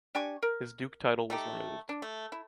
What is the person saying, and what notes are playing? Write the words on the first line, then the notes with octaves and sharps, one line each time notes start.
His duke title was removed.
D4 G4 G#5 C#6
A#4
A3 D#4 G4
D4
A3
E4